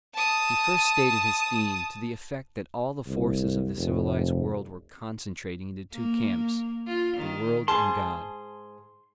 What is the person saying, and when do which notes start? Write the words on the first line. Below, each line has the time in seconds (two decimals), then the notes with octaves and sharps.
He first stated his theme; to the effect that all the forces of the civilised world were concentrating into two camps--the world and God.
0.15 A5 D#6
3.07 C2
3.77 F1
5.93 A#3
6.87 F4
7.17 D#3
7.68 G#2 G#4 A5 C6